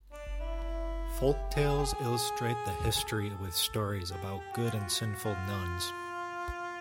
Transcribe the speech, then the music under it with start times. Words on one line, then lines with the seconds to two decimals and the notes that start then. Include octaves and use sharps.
Folk tales illustrate the history with stories about good and sinful nuns.
0.12 D4
0.40 E4
1.26 G4
1.54 G#4
1.69 G#4
1.78 G4
1.82 G#4
2.91 G#4
2.96 A4
4.11 G4
4.39 G4
4.52 F#4
4.63 F4
4.74 F#4
5.25 F4